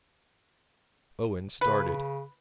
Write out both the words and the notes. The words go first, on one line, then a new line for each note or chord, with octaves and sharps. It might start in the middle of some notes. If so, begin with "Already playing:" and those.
Owen started.
C#3 B4